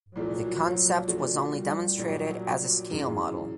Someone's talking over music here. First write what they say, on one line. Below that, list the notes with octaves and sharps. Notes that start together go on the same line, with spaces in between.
The concept was only demonstrated as a scale model.
C2 A#2 F3 F#3 A3
A#2 F3 A3 D4 F#4
G3
A#1 A#2 F#3 G3
F#2 C#3 E3 G#3